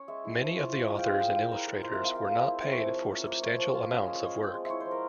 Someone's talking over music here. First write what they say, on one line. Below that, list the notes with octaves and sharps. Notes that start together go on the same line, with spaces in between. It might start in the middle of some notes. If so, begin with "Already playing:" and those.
Many of the authors and illustrators were not paid for substantial amounts of work.
Already playing: C#4 C#5
G#3 E5
E4
F3
F4
C#4
G#3 F5
G5
G#3
F5
G#3 G5
E4 F5
E4 A#4
G#3 A#4
F4 C5
E5
C4
F5
G#3 F5
F5
G#3
E5
E4
C4 E5
C#5
F3 E5
F3
C#4
A#3
F4 C#5
F3
F4
C#4
G#3
G#3
C4
G#3
E5
E4 C#5
C5
F3
A#4